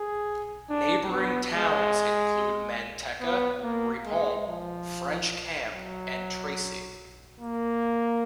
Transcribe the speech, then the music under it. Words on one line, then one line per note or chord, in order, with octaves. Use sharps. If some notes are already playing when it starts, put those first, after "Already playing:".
Neighboring towns include Manteca, Ripon, French Camp, and Tracy.
Already playing: G#4
D4
B3
G#3
B3
A#3
G#3
F3
F#3
A#3